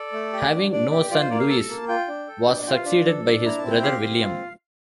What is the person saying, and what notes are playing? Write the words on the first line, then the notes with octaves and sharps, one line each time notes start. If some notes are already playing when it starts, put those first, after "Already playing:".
Having no son Louis was succeeded by his brother William.
Already playing: A4 D5
A3
G4
D4
D4 D5
G4
F4 D5
C5
A#3 D5
F5
A4 A5
A#3
F4 G5
D4
A4
D4
F4 G5
F5
D4
A4
D4
E4 A#5
C4 A5
G5
G4 F5
C4
F4